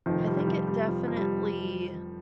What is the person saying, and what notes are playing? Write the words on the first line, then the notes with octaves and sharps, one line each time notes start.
I think it definitely
F1 F2 D#3 F3
G3
G3
F3
G3
F3
F3
G3